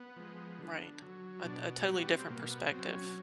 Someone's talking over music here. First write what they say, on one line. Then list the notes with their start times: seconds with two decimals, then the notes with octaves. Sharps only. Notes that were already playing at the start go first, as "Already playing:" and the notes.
Right. A a totally different perspective.
Already playing: B3
0.16 F3 G#3
0.59 D3
1.02 F#3
1.44 B2 D4
1.87 G3 F#4
1.99 B3
2.09 C4
2.30 B2 A#3
2.50 B3
2.72 F#3 C4
2.94 C#4